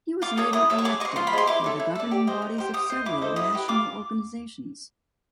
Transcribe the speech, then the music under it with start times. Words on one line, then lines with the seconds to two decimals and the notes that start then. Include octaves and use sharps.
He was later elected for the governing bodies of several national organisations.
0.22 F4 D6
0.37 A4 C#5 D#6
0.53 E4 D#6
0.70 A4 C#5
0.78 C#6
0.85 G#4 D6
1.00 C5 D#5 C#6
1.16 F4 C6
1.27 B5
1.33 G#4 C5 D#5 C6
1.47 E4 D6
1.64 A4 C#5
1.79 E4
1.95 A4 D5
2.11 G4
2.27 C5 D#5
2.42 D#4
2.58 G4 C5
2.74 G4 D#6
2.90 C5 D#5
3.05 E4 D6
3.21 A4 C5 D#5
3.36 E4 D#6
3.52 G4 B4 D#5
3.68 F4 D6